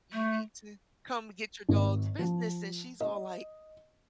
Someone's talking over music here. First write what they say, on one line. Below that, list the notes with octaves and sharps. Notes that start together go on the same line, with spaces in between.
you need to come get your dog's business," and she's all like,
A3
G#1
F3
D#5